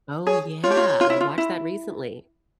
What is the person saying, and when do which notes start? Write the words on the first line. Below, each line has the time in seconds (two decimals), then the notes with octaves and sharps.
Oh yeah, I watched that recently.
0.26 G#4 C#5
0.63 F4 C#5
0.70 G4
0.77 F4
1.01 F4
1.10 E4
1.21 F4
1.38 E4